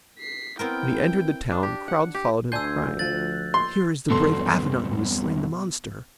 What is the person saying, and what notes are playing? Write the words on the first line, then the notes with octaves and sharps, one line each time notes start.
When he entered the town, crowds followed him crying, "Here is the brave Avenant who has slain the monster."
B6 C7
B3 C4 E4 A#4 G5
D4
G4
F#5
G4
D2 D4 G#5 C6 E6 G6
F3 F#6 A6
C6
E2 G2 B2 A4 C6